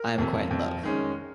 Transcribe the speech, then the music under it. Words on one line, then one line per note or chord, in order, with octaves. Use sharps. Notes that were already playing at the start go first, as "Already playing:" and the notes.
I am quite in love.
Already playing: A#4
F2 C3
F2
D#3 G#3 C#4